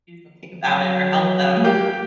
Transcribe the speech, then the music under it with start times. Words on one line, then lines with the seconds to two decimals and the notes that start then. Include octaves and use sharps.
do something about it or help them.
0.64 F#3
1.64 A#3 G4